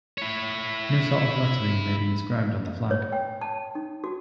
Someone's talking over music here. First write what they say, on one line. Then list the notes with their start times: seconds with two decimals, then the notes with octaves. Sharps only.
No sort of lettering may be inscribed on the flag.
0.18 E4 C#5
2.91 C#5
3.12 G5
3.41 A5
3.75 D#4
4.04 F#4